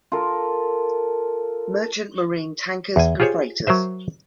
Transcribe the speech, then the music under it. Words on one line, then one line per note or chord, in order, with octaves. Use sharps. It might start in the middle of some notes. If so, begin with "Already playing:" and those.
Merchant Marine tankers and freighters.
F4 A4 A#4
E2 G#5
F4 G4 G#4 C5 C#5
F#3 A#4 C5 E5